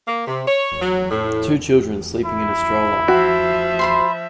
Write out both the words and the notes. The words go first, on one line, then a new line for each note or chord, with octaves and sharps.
Two children sleeping in a stroller.
A#3
C3
C#5
F#3
A2
E4
F3 F#4 E5
C5 B5 C6